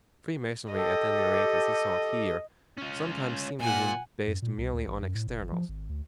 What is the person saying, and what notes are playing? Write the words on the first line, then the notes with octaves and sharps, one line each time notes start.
Freemasonry, at any rate as he saw it here, sometimes seemed to him based merely on externals.
G4 A4 D#5
C#4 F4
A#2 F#5 G#5
F#2
A#2
C2
D2
A1
F#2
A2
F#1
G#1
F3
G#1
D2